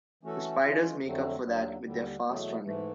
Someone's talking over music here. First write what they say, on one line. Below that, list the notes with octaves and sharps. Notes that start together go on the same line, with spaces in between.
The spiders make up for that with their fast running.
E3 A3 C#4 F#4 A4
E3 G#3 C#4 F4
F2 D3 F#3 A3 C4
D#2 D3 F#3
D#2 D3 G3
E2 B2 F#3 A3
G#2 E3 A3